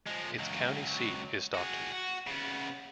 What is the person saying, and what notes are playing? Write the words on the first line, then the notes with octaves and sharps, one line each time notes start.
Its county seat is Stockton.
F3 G#3
C#2 F#3
F#4 G#4
F#4
C#3 B3